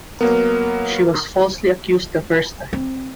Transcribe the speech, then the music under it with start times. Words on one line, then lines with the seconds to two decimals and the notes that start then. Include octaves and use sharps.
She was falsely accused the first time.
0.21 F#3 A#3 B3 A#4
2.73 C4